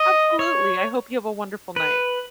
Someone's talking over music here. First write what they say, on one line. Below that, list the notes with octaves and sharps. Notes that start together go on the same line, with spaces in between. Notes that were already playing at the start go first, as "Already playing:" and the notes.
Absolutely. I hope you have a wonderful night.
Already playing: D#5
C#5
B4